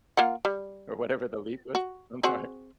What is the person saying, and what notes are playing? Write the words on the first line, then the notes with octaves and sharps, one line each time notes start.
Or whatever the leaf was. I'm sorry.
A#3 F4 F#5
G3
F#4
C4 F#4 G#4